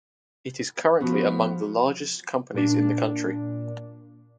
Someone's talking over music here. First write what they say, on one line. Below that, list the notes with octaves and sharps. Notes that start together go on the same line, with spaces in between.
It is currently among the largest companies in the country.
F3 B3 F#4
A#2 D4